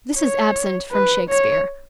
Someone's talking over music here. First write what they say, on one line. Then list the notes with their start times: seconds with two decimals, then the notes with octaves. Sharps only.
This is absent from Shakespeare.
0.18 C#5
0.92 B4
1.29 C#5